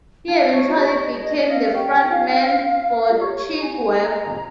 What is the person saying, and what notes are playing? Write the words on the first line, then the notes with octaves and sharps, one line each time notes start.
He eventually became the front man for Chick Webb.
D#4 F5
D#4 C#5
F4
G4 C#5
D#5
D#5
F5
F5
G4 G5
C#4
D#4
F4 F5
F4
G4 C#5
A#5
G#5
A#5